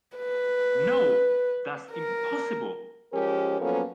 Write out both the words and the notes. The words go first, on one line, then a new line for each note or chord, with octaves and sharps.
No! That’s impossible!
B4
A#4
F3 G#3 C#4 G4 A#4
F3 F#3 A#3 B3 C#4 A4